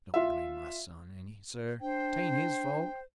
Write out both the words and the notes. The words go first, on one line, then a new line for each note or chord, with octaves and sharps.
Don't blame my son any, sir--'tain't his fault.
F4 E5
D4 C5 G5